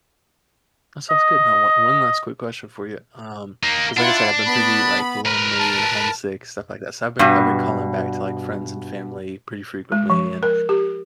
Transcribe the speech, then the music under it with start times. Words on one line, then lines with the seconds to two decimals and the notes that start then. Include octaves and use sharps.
That sounds good. Now, o one last quick question for you, um 'cause, like I said, I've been pretty, like, lonely and homesick, stuff like that. So, I've been I've been calling back to, like, friends and family pretty frequently, and,
1.10 D#5
3.63 A#3 D#4
3.97 D4 E4 F4 F#5
4.46 B3 B5
5.25 A#4 B4
5.59 A5
7.19 G2 B2
9.92 G#3
10.10 F3
10.43 A#4
10.69 G4